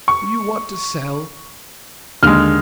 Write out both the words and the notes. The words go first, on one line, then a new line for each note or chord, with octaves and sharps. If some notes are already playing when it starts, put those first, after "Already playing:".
"Do you want to sell?"
C#6
D#2 D3 G#3 F6